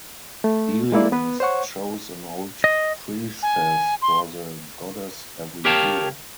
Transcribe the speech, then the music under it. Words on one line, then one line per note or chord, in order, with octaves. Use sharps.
Eleans chose an old priestess for the goddess every year.
A3
G#3 A#3 E4 D5
B3 B4
C5 C#5 F#5 C#6
D#5
G#5
C6
G4 A#4 C#5 F5 G5 A5